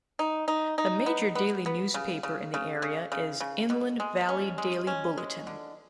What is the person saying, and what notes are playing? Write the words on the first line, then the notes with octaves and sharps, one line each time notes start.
The major daily newspaper in the area is "Inland Valley Daily Bulletin".
D#4
D#4
D#4
B3
B3
B3
C#3
C#3
C#3
C#3
C#3
C#3
B2
G#3
C#4
G#3
C#4
G#3
D3